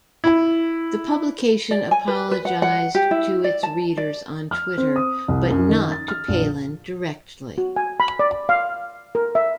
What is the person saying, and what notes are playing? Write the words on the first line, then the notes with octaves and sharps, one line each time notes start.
The publication apologized to its readers on Twitter but not to Palin directly.
E4
D5
G#5
B4
B4
F#5
F#5
G4
E4
D5
A5
D5
F6
C4
D#6
C2
F#2
D#3
A6
F6
A#1
F#4
G#5
B5
D5
F5
A#4
E5